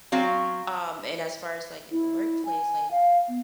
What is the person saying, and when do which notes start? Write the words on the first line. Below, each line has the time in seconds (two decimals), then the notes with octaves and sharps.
um, and as far as, like, in the workplace, like,
0.12 F#3 C4 F#4 F5
1.92 E4
2.45 G#5
2.91 F5
3.28 B3